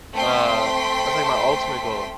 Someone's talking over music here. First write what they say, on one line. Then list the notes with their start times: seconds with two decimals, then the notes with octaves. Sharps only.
uh, that's, like, my ultimate goal,
0.14 A3 C4 G5 C6 B6